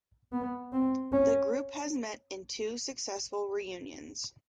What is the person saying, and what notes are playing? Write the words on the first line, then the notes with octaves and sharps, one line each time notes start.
The group has met in two successful reunions.
B3
C4
C#4